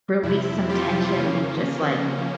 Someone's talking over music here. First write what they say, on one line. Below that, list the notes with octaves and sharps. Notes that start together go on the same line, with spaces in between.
release some tension and just, like,
F2 C3 F3 E4
F4 G4
C#3 F3 A#3 C#4